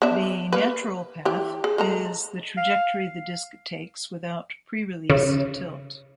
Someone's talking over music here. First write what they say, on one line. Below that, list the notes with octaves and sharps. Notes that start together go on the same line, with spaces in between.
The "natural path" is the trajectory the disc takes without pre-release tilt.
B3 D4 E5
A#3 B4
E3 G4
G#4
G#3 A4 A#5
F5
C#3